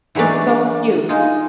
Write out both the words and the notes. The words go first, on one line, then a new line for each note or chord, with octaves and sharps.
It's so cute
E3 F#3 G#3 A3 D4
G#3 D#4 F4 G#4